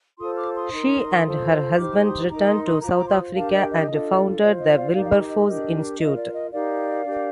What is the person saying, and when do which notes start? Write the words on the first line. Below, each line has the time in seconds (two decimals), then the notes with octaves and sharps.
She and her husband returned to South Africa and founded the Wilberforce Institute.
0.18 F4 A4 C5 C6 D#6
0.36 D6 F6
0.54 C6 D#6
0.71 D#4 A#4
1.25 F4 A4 C5
1.77 D#4 G4 C5 D6 F6
2.04 C6 D#6
2.30 D#4 A#4 A#5 D6
2.47 C6 D#6
2.65 C6 D#6
2.82 F4 C5 A#5 D6
2.90 C6
2.95 A#5 D6
3.09 C6 D#6
3.35 D4 G4 A#4 F5 A5
3.53 D#5 G5
3.71 D#5
3.88 D4 F4 A4
4.40 F4 C5 D5
4.59 D#5
4.76 D5 F5
4.93 D#4 G4 A#4 D5 F5
5.03 F5
5.11 D#5
5.28 D#5
5.46 D4 G4 A#4
5.99 F4 A#4 D#5
6.17 D5
6.34 D#5
6.52 D#4 G4 A#4 D5 F5
7.05 D4 G4 A#4